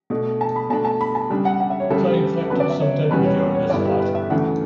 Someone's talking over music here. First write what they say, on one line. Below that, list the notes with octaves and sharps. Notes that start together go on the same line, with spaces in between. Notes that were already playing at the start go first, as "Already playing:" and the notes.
The plane collected some debris during this flight.
B2 A3 D4
A5
B5
B2 A3 D4 A5
A5
B5
A5
C#3 G3 D4
F#5
F#5
E5
C#5
D2 C#3 G3 D4 A4
G4
C#3 F#3 B3 D4 B4
D5
E5
C#5
E2 B2 G3 C#4 B4
C#5
C#5
C#5
G2 D3 G3 B3 E4 D5
G4
B4
E5
D2 C#3 E3 A3 D4 F#5